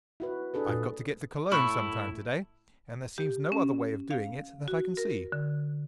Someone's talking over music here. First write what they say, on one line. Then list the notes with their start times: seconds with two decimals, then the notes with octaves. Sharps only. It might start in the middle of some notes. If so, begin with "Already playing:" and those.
"I've got to get to Cologne some time to-day, and there seems no other way of doing it that I can see."
0.20 E4 F#4 B4
0.54 D4 G#4 A4 B4
0.67 A#2
1.52 A2 E4 B5 C#6
3.18 G4
3.52 C#4
4.11 F5
4.68 F#4
4.97 A#4
5.32 D3